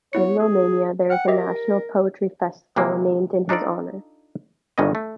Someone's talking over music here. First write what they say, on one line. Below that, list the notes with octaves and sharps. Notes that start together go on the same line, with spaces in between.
In Romania, there is a national poetry festival named in his honor.
B3 E4 C#5 C#7
G#4
F#5 G5 F6
G4 A#4 D#5 E5
C3 E3 G#3 A#3
D4 D#4 F4 A4 D5
G1 G2 D#3 C#4 D#5
A3